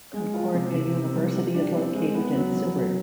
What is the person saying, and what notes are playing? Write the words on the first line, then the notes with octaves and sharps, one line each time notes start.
Concordia University is located in Seward.
G#3
F4
C3
C3
C4
G3
G4
D4
C4
G#3
B3
F#3
F#3
F#3